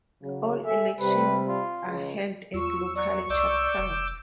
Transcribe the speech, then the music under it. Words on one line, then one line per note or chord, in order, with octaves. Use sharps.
All elections are held at local chapters.
C#3 F#3
A4 E5 G#5
C3 G3 B4
F4
C#2
E2 F4 C#6 E6
F#3 D5 C#6
C2 D5 D6 E6 G6
F1